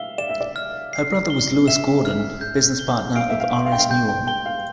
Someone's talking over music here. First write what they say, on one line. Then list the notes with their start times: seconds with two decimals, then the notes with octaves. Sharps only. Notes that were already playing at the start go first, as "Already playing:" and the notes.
Her brother was Lewis Gordon business partner of R S Newall.
Already playing: E5 F5 G7
0.18 D5 E7
0.30 E5
0.41 D5
0.56 F6
0.93 C7
1.30 G7
1.68 E5 E7
2.05 F6
2.41 G6
2.79 G7
3.16 F5 D7
3.30 E5
3.40 F5
3.53 C6
3.66 F5
3.72 G5
3.79 F5
3.90 G5 G6
4.08 G5
4.27 G5 G7
4.46 F5